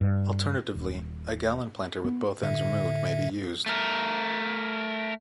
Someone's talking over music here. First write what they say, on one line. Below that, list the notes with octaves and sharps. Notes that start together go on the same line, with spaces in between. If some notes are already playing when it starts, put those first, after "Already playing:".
Alternatively, a gallon planter with both ends removed may be used.
G2
D#1
B3
A2 D3 E5
A3 A#4